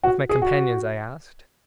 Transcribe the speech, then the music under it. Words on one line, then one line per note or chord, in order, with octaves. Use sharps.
"With my companions?" I asked.
F#4
G#4
F#4